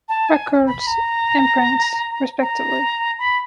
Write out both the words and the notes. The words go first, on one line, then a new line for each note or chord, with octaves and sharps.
Records imprints, respectively.
A5
G#5
B5
A#5
A#5
B5